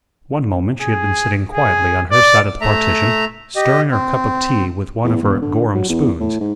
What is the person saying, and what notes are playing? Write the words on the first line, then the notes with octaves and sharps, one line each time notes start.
One moment she had been sitting quietly on her side of the partition, stirring her cup of tea with one of her Gorham spoons.
G#4
G#4
D5
A3 E5 A#5
G4 D#5
C4
E2
E1
D3
F#3
E2
A2
G#2